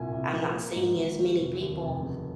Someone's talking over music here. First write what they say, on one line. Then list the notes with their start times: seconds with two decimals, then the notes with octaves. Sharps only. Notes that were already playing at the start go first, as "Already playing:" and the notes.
I'm not seeing as many people
Already playing: C2 A#2 G#5
0.12 C2
0.33 F3
0.54 A#3
0.76 G#2
0.96 G#1
1.19 F#3
1.40 F1
1.61 D#2
1.82 F1
2.03 C#3